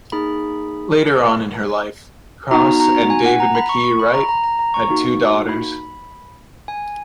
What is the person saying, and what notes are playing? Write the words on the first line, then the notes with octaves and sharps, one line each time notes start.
Later on in her life, Cross and David McKee Wright had two daughters.
A#3 D#4 G#4 B5
B3 D#4 F#4 A#5
A#5
G#5
F#5
A#5
B5
C#6
C#6
B5
A#5
A#5
A#5
A#5
C#6
A#3 D#4 F#4
B5
G#5